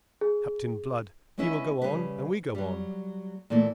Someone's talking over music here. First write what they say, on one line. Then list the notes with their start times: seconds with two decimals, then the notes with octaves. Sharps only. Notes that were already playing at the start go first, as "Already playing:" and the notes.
Captain Blood, he will go on, and we go on.
0.21 G#4
1.38 G#3 B3 C#4 E4 E5
1.82 C#3 G3 B4
2.55 F#3 G3
3.50 A#2 E3 A3 A#3